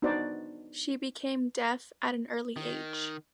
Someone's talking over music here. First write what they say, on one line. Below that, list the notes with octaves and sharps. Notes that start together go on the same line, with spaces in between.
She became deaf at an early age.
B3 D4 D#4 F#4 C5 D5
D#3